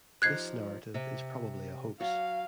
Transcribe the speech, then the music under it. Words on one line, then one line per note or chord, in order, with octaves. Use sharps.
This narrative is probably a hoax.
F3 D#4 G4 F#6 G#6 C7
C3 C4
F#3 F#4 F5